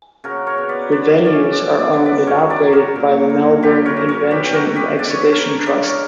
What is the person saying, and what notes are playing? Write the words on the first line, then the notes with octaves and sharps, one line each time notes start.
The venues are owned and operated by the Melbourne Convention and Exhibition Trust.
C#3 F#4 A#4
A#4 C#5
B3
B4 D5
F#3 B4 D5
C#4 D5
D5
B2
D5
F#3
B4 D5
F#2 A#4 C#5
B4 D5
F#3
A#4 C#5
A#2
A#3
F#2 G4 B4
A#4 C#5
F#2
A#4 C#5
B2 G4 B4
G4
F#4 A#4
B2
G4 B4
D3 D5
C#5
B4
D3 A#4 C#5
C#3 B4 D5
A#4 C#5